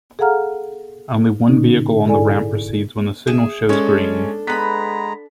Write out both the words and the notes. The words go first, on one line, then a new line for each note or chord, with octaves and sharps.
Only one vehicle on the ramp proceeds when the signal shows green.
G#4 A4 F5 F#5 A#5 F6
A#2 D3 C#4 D#4
G#2 E4 G#4 A4 D5 G#5
G#4 E5
G#3 C#4 D4 A4 C#5
G#3 B3 A#5 B5 B6